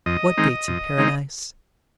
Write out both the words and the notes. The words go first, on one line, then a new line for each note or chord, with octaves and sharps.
"What gates of paradise?"
F2 D#5
D#3 G#3 C4 D#4
F2
D#3 G#3 C4 D#4